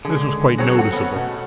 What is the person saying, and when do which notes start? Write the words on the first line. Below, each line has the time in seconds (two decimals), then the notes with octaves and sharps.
This was quite noticeable.
0.05 C#2 D3 G#4
0.58 F#3 C4 F#4 G#4 C#5
0.75 A4 F#5
0.93 B3 C#4
1.15 B2 A3